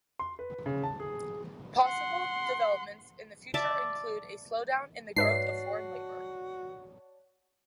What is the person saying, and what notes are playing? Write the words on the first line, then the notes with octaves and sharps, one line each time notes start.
Possible developments in the future include a slowdown in the growth of foreign labor.
C6
B4
C#3
A5
G#4
F#5 C6
D5 E5 A5 D6
G#2 F#4 B4 C#5 D5 E5 A5 C7